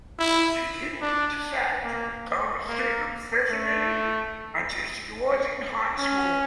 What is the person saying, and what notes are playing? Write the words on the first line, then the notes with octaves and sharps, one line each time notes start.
She didn't decide to become a singer professionally until she was in high school.
E4
D4
A#3
A#3
A3
C#4